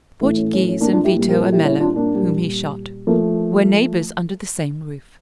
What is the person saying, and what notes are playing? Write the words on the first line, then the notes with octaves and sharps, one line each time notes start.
Portoghese and Vito Ammella, whom he shot, were neighbors under the same roof.
A2 E3 A3
C#4
C#4
C#4
A#3 D4
D4 F4
E4 G4
A#2 G3
G4 A#4
F4 A4
E4 G4
C#4 E4
D4 F4
A#3 D4
A#2 G3
F3 A3 A#3